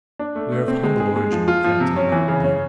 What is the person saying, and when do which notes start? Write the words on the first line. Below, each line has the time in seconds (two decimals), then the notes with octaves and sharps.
"We are of humble origin," the captain muttered again.
0.19 D4
0.35 A3
0.52 A3
0.68 C4
0.83 G#3
1.00 G#4
1.16 G#3
1.32 F3
1.48 F4
1.64 F3
1.80 C3
1.96 C#4
2.12 E3
2.28 C#3
2.44 C#4